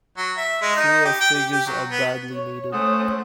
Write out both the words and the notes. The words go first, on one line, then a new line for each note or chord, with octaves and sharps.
Here, figures are badly needed.
F#3
E5
G#3
D#4
G4
G5
G4
G4
F#3
B3
C#5
A3 C#4 C5 F#5 D#6